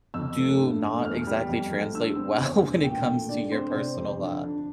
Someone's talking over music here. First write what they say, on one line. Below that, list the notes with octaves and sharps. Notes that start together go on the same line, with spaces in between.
do not exactly translate well when it comes to your personal, uh,
F2 E6
A3
G2
A3
E2 F6
G3
F2
A3
D3 E6
C4
E2
E1
A#2 G5
A3
D3 D5
C4 C5
C3 D5
F2
D3
D4